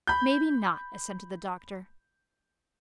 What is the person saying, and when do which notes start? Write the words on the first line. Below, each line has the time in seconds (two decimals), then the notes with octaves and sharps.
"Maybe not," assented the doctor.
0.07 B5 G6